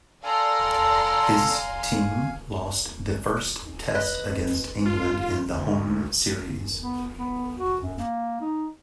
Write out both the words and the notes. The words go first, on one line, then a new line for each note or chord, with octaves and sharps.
His team lost the first test against England in the home series.
A4 D5 F5 G#5 A#5 C6
B4 D#5
F4
D2
B3
B3
F#4
F#2
A#3
D#4